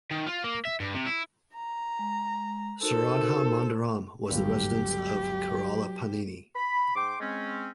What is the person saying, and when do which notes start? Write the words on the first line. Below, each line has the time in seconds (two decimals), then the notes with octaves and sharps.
Saradha Mandiram was the residence of Kerala Panini.
0.11 D#3
0.27 F4
0.44 A#3
0.65 E5
0.80 G2
0.95 C3
1.07 E4
1.55 A#5
1.99 G#3
2.83 D#4 F#4 A4 A#4 C5
4.31 G1 C#2 F#3 G4
6.55 B5
6.96 G#2 G5 C6 D6
7.20 G#3 C4 C#4